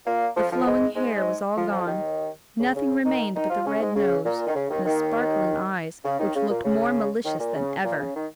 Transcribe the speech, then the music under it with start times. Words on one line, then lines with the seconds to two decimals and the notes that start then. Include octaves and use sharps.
The flowing hair was all gone; nothing remained but the red nose, and the sparkling eyes, which looked more malicious than ever.
0.06 A#2 A#3
0.36 F2 F3
0.51 F2 F3
0.65 G#2 G#3
0.95 G#2 G#3
1.55 F2 F3
1.70 F2 F3
1.85 D#2 D#3
2.60 C#3
2.75 C#3
3.05 D#3 D#4
3.35 D#3 D#4
3.50 F3 F4
3.65 C#3 C#4
3.80 G#2 G#3
3.95 C#3
4.25 A#2
4.47 D#3
4.55 C#3
4.70 D#2 D#3
4.85 D#2 D#3
6.05 C#3
6.19 D#2 D#3
6.35 C#3
6.49 A#2
6.64 C#3
7.24 D#2 D#3
7.39 A#2
7.54 C#3
7.84 A#2
7.99 C#3
8.14 D#3